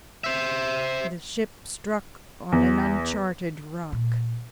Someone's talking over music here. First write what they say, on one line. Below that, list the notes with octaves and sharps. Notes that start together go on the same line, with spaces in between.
The ship struck on an uncharted rock.
C5 E5
E2
A#2